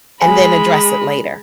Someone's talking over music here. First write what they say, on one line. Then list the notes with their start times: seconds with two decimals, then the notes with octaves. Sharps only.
and then address it later.
0.22 G#3 G#5 B5